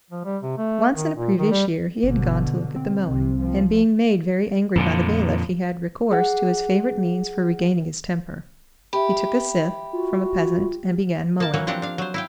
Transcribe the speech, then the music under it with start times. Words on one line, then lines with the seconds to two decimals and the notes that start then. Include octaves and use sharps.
Once in a previous year he had gone to look at the mowing, and being made very angry by the bailiff he had recourse to his favorite means for regaining his temper,--he took a scythe from a peasant and began mowing.
0.10 F3
0.24 G3
0.43 C3
0.58 A3
0.95 D#3
1.16 A#2
1.39 D#3
1.51 G3
2.03 G1 B2 D3
2.76 C4
3.08 C2 C3
3.42 F3
4.76 F2 A#2 D3
6.11 G#4 F#5
8.93 G4 E5 B5
9.93 F4 F#4
11.40 A#3 A5
11.54 E3 F#3 A#3 C#5
11.67 F3 C4 D4 G4 F#5
11.82 D4 F5
11.98 F#3 C5
12.14 E4 F5 G5